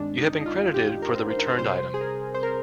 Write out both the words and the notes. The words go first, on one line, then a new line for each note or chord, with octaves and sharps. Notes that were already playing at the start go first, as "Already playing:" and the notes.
You have been credited for the returned item.
Already playing: G2 D#3 G#3 C4 D4
D#4
D#4
F4
G4
A#4
C5
A#4
C5
A#4
C5
C3 G3 C4 C5
G#4
A#4
C5
A#4